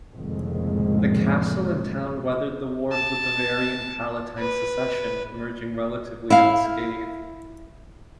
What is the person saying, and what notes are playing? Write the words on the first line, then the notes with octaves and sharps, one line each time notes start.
The castle and town weathered the War of the Bavarian-Palatine Succession, emerging relatively unscathed.
F#1 C2 F2 A2 D#3 G#3
A5
B4
E4 F5